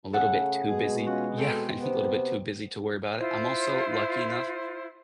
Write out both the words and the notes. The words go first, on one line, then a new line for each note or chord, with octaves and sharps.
A little bit too busy yeah, a little bit too busy to worry about it. I'm also lucky enough
C#3 A3 G#4 A4 F#5
B2 G#3 G#4
C#4 F4 F#4
C4 A4 D7
C3 B3
E4 F4 C5